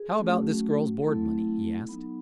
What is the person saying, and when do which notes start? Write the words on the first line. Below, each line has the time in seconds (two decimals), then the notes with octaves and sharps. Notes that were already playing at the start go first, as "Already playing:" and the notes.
"How about this girl's board money?" he asked.
Already playing: G#4
0.17 F#3 A3 C#4 F#4
1.02 F#3 A3 C4 E4 A4
1.87 F#3 B3 D#4